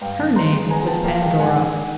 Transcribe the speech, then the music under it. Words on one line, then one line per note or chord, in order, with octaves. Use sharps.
Her name was Pandora.
G2 F5 G5
D#3
G2 A#5 C6
G#3
B3 G#5 A#5
F3 G5 A5
A#2 F5 G5
G#3 F5 G5
G#2 F#5 G#5
D#3